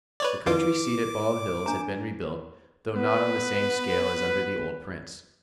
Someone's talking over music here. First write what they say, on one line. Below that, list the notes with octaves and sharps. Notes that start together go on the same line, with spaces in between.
The country seat at Bald Hills had been rebuilt, though not on the same scale as under the old prince.
B4 C#5 D5
F2 E4 F4 B4 D6
D4 A#5
B3 B4